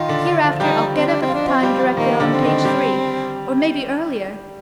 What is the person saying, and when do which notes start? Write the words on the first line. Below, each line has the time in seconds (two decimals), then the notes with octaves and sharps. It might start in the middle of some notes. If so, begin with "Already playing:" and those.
Hereafter I'll get up at the time directed on page three, or maybe earlier.
Already playing: D#3 D#4 F4
0.09 D3 D4
0.26 D3 D4
0.43 F3 F4
0.60 G3 D#4 G4
0.95 C4
1.08 D4
1.22 C4
1.28 F3 F4
1.35 D4 D#4
1.46 F3 C4 F4
1.63 G3 G4
1.80 F3 F4
1.97 D#3 A#3 D#4
2.20 D3 D4
2.31 C4
2.43 D#3 D#4
2.65 G3 G4